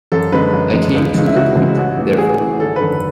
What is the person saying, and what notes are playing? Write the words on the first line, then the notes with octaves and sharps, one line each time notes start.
I came to the point, therefore.
F#2 A4
D3 G#3 B4
F#2
D3 G#3
C#2
C#3 G#3
E4
C#2 F#4
C#3 G#3
A1
A2 E3
A1 G#4
A2 E3
G#1 A4
B4
F#2 D3 A4